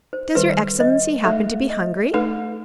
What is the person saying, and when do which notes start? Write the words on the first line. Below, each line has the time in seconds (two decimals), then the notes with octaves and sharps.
"Does your excellency happen to be hungry?"
0.13 C5
0.35 D#3 G3 D#4 A4 B4 C5
0.80 D#5
1.24 A3 D#4 A4 E5
1.70 D#5
2.14 A3 D#4 A4 B4